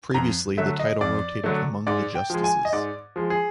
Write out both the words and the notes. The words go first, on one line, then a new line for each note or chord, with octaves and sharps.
Previously the title rotated among the justices.
F2 A#5
D3 F#3 A3 E5
D#5
F2 D5
D3 F#3 A3
G#2 D5
G5
F3 G#3
G#5
D#5
G#2 D5
F3 G#3
G#4